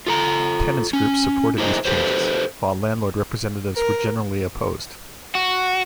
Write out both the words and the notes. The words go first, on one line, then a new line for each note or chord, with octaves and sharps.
Tenants' groups supported these changes, while landlord representatives were generally opposed.
F4 A4 A#5
C#4
E4 G#4 A#4 C5 C#5 D#5
G4 A4 B4 C5
A#4
F#4